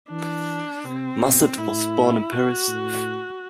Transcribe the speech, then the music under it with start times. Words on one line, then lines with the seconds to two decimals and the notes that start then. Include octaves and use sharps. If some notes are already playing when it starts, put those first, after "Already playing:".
Musset was born in Paris.
0.11 E3 D4
0.84 C3 C4
1.21 B2
1.58 A2 E4
2.32 F#4
2.68 A2